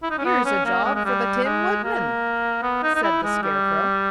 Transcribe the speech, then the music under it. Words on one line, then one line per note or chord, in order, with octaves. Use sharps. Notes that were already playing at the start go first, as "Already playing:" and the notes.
"Here's a job for the Tin Woodman," said the Scarecrow.
E4
D#4
C#4
B3
C#4
A#3
G#3
G#3
G3
G#3
A#3
B3
D#4
D#4
E4
G#3
G3